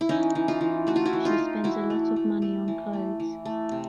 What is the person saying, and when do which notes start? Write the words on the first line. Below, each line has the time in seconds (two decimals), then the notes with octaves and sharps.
She spends a lot of money on clothes.
0.01 E4
0.09 E3 C#4 D#4
0.35 E3
0.48 D#4 F4
0.61 E3
0.87 A3 F#4
0.96 F4
1.05 E4 F#4
1.13 E3
1.25 D#4 F4
1.39 E3
1.64 E3 E4 F#4
1.90 A3
2.16 A3
2.42 A3
2.68 E3
2.93 A3
3.20 E3
3.45 A3
3.71 C3